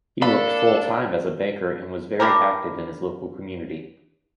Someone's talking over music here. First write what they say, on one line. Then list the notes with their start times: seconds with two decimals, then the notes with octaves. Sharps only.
He worked full-time as a banker and was very active in his local community.
0.22 A#3 D4 A4 B5
2.20 D4 E4 G4 A#4